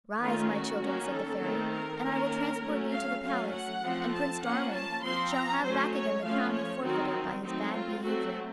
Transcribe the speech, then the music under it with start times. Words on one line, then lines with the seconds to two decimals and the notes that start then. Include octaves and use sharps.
"Rise, my children," said the Fairy, "and I will transport you to the palace, and Prince Darling shall have back again the crown he forfeited by his bad behavior."
0.21 D#3 A3 C#4 F4
0.51 F#4
0.81 D#3 A#3 C#4
1.11 A4
1.42 D#3 A3 C4
1.72 A#4
2.02 D#3 A#3 C#4
2.62 F#3 A3 C#4
2.93 F5
3.22 F#3 A3 C#4 F5
3.52 F#5
3.83 F3 A3 C4
4.13 A5
4.43 F3 A#3 C#4 F#5
4.73 A5
5.03 F3 C4 C6
5.33 A#5
5.63 F#3 A3 C#4 C5
5.93 C#5
6.24 F3 A3 C#4 F5
6.53 C#5
6.83 D#3 F#3 C4 F#4
7.43 F#3 A3 C4 D#4
7.74 F4
8.04 F#3 A3 C4 F#4